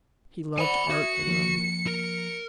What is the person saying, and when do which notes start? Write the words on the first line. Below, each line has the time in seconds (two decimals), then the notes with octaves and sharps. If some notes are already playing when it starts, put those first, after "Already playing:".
He loved art alone.
0.58 C5 D5 F#5 G#5 B5 C#7
0.90 F#4 E5 D#6 G#6
1.27 F3 A#3
1.87 A#4